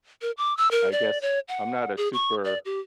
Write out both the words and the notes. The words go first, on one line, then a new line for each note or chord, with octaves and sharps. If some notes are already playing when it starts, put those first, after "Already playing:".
I guess, I'm not a super,
A#4
D6
E6
A#4
D5
C#5
F#5
G#4
C#6
D5
G4